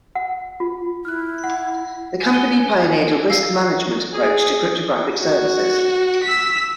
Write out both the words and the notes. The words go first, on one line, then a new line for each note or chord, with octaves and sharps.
The company pioneered a risk management approach to cryptographic services.
F#5
F4
E4 F6 F#6
F#5
G#5
C#7 D#7 G7
F5 E6 C7
G#4
F#4
E6 B6